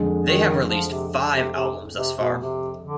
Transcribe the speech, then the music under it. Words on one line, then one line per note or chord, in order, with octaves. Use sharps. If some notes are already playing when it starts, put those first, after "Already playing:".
They have released five albums thus far.
Already playing: F2 D3 G#3
D#3
F3
C3
C3
C3
C3
B2
C3
D3